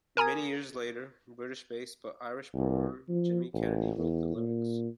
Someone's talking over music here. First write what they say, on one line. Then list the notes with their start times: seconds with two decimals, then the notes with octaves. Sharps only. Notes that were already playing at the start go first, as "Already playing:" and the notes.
Many years later British-based, but Irish-born Jimmy Kennedy wrote the lyrics.
0.17 A#4 G#5 A#5 D#6 G#6
2.54 C2
3.09 F3
3.54 A1
3.97 E2
4.36 A#2